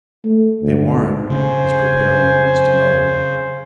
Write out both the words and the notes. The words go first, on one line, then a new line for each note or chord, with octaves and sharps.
A warrant was preparing against another.
A3
D2
C#3 C4 C#4 C5 G#5